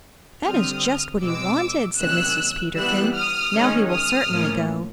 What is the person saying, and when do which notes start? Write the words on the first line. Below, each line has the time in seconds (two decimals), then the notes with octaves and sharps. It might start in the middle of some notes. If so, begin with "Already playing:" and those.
"That is just what he wanted," said Mrs. Peterkin; "now he will certainly go!"
0.46 D3 G3 C4 D#6 F6
1.23 B2 G#3 C4 D6 E6
2.00 C3 D#3 F#3 A#3 C#4 E6 F#6
2.76 E3 G3 B3 E6 F#6
3.14 D#6 F6
3.54 D#3 G#3 C#4
3.91 D#6 F6
4.30 A2 F3 A#3 C#4